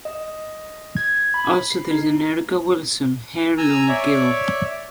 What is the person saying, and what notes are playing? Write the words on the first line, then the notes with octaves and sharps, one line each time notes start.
Also, there is an "Erica Wilson-Heirloom Guild".
D#5
G#6
B5
C7
D#4
G#5 A#5 E6
C#5 D5 E5